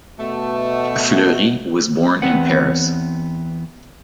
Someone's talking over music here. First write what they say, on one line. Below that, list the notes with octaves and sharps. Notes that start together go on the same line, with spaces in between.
Fleury was born in Paris.
B2 A3
E2 B3 C4 B4 F#5